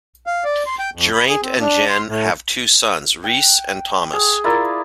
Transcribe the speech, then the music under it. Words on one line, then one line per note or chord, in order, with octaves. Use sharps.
Geraint and Jen have two sons, Rhys and Thomas.
F5
D5
C6
G5
F2
B5
G#4
C4
D4
C6
A2
F#5 G5
G#4
E4 F4 A#4 D5